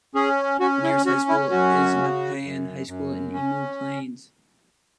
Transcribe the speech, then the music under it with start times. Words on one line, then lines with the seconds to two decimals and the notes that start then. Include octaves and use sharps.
The nearest high school is Nepean High School in Emu Plains.
0.15 C#4 G#4
0.60 C#4 F#4
0.83 E4
1.06 C#4 F#4
1.29 E4
1.51 F#2 F#4
1.97 C#3
2.42 F#2
2.87 F#2
3.33 C#4